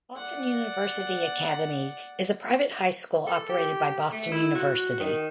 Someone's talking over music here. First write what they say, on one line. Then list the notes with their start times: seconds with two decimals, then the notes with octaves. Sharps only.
Boston University Academy is a private high school operated by Boston University.
0.14 D5 F#5
3.27 A4
3.49 G4
4.12 A3
4.32 E4
4.55 F#4
5.00 D#3